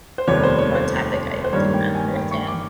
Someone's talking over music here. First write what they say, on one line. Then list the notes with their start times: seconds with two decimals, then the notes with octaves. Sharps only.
one topic I do not understand.
0.18 C5
0.28 F1 D#2 D#3 G3 B3 C#5
0.43 C5
0.59 C#5
0.75 C5
1.44 C5
1.53 G2 D#3 G3 A#3 C#5
1.74 G5
1.95 G#5
2.16 G5
2.31 C#6
2.47 D6